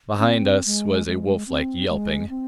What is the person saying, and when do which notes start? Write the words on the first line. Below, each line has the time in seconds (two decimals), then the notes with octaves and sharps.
Behind us was a wolflike yelping.
0.19 C#4
0.25 C4
0.66 G#3
1.07 G#3
1.48 C4
1.89 G#3
2.29 C4